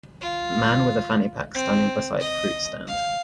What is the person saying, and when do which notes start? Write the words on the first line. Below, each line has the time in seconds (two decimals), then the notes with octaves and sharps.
Man with a fanny pack standing beside fruit stand.
0.22 F4
1.55 C4
2.21 D#5
2.87 F5